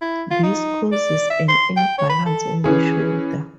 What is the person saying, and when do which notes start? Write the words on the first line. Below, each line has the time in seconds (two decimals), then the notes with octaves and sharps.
This causes an imbalance on the shoulder.
0.02 E4
0.31 F4
0.43 D#4
0.92 D5
1.30 E5
1.49 C6
1.77 G5
1.98 C#5
2.10 B5
2.26 A4
2.64 E3 C#4 G#4